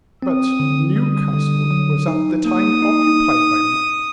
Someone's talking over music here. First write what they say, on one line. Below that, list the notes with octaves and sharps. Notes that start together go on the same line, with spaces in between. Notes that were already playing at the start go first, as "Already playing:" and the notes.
"But Newcastle was at the time occupied by Monk."
C4 D#6
D3
G3 D#6
D3
F#3
D#4
A#3 D#6
D#4